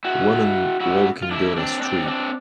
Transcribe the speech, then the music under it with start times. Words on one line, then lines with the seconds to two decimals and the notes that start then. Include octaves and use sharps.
Women walking down a street.
0.05 E4 F#4
0.80 E4 F#4
1.22 F4
1.31 D4 E4
1.56 C4 D4
1.82 C4 D4
2.07 C4 D4